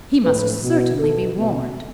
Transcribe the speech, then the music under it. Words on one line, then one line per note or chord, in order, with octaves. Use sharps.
He must certainly be warned.
A2 F3 B4
B2
B2 A4
B2